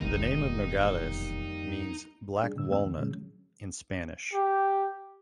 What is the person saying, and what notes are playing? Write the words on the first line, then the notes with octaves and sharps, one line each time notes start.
The name of Nogales means "black walnut" in Spanish.
E1 A#1 F2 D#3 G3 G#3 A#3 D#4
G3 D4 G#4
A2 D3 E6
E2 A3 C4 E6
D2 D#3
A#2 D3 F3 F#3 G#3 C#4
G4